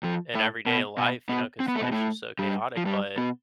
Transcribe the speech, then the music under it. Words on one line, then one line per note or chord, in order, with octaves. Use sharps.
in everyday life, you know, 'cause life's just so chaotic, but,
F2 F3
A2 A3
B2 B3
B2 B3
B2 B3
C4
B3
A3
B2 B3
A2 A3
G2 G3
F3
G2 G3
B2 B3